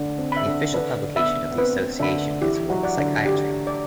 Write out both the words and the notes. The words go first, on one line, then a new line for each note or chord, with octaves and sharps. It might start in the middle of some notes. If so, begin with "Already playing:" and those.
The official publication of the association is World Psychiatry.
Already playing: D3 D4
C4
E5 B5
D3 D4
D3 D4 B4
B3 E5 B5
B3
C4 B4
D3 D4 E5 B5
E3 E4 G4
F#3 F#4
D5 F#5
D3 D4
G4
D5